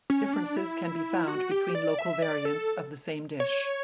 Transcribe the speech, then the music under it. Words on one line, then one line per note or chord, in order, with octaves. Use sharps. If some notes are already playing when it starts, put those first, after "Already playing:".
Differences can be found between local variants of the same dish.
C#4
D4
E4
F#4
G4
D5
E5
D5
A4
C#5